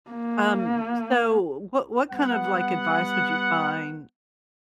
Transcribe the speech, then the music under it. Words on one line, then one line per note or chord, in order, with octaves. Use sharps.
Um, so, what what kind of, like, advice would you find
A#3
G3 B3 F#5